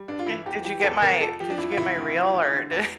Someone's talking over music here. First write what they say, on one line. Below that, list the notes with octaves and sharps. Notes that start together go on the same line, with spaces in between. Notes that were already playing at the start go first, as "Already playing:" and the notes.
Okay. Did you get my did you get my reel or, d
Already playing: G3
G2 D4
F4
E3 E4
E2 G4
E3 G4
G4
E2 A4
C3 A#4
F2 A4
F3 G4
D4
F2 E4
F4
C3 E4
D2
F3
D2
D3
E2